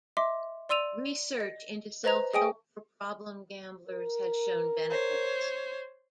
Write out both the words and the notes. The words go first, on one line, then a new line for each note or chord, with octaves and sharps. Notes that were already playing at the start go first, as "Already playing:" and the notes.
Research into self-help for problem gamblers has shown benefits.
D#5 E5 C6 D6
D5 C6 E6 D#7 F7
D#5
B4 C5 D#5 A#5 F7
G#4 D#5 G5 G#5 D#6 D7
A#4
C5 C#5